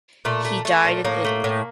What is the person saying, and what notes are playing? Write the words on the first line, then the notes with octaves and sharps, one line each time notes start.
He died in Italy.
A#2 A3
A3
A3
A#2
A2 A#3
A3
A2